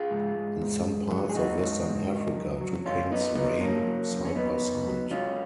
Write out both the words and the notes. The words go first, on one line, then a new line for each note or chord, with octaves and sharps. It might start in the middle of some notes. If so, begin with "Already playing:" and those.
In some parts of western Africa two kings reign side by side.
Already playing: F4 G#4
G#2
G#2
G#2
G#2
F#3
G#4
F#3 D#4 F#4
G#2
G#2
D#3
F#2
F#3
F#2 C#4 F4
F#2 B3 D#4
F#3 B3 D#4
F#3 A#3 C#4
F#3
F#2
C#4
F#2 B3 D#4
F#2
F#3
F#3 C#4 F4